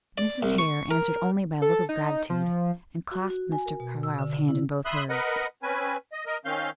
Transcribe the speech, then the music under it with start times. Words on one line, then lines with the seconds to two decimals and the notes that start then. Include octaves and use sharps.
Mrs. Hare answered only by a look of gratitude, and clasped Mr. Carlyle's hand in both hers.
0.18 D5
0.43 C2
0.58 C#6
0.91 A#4
1.62 A4
1.89 D#4
2.30 F3
3.12 F#4
3.30 F#4
3.52 G#5
3.66 A#4
3.80 B2
4.03 E6
4.19 D3
4.33 D3
4.48 E4
4.85 E5 B5 C6 D#6 F#6
5.10 A#4 B4 D#5 F#5
5.63 C4 C#4 B4 G#5
6.12 D#5
6.26 A#4 D#5
6.45 D#3 C4 C#4 F5 G6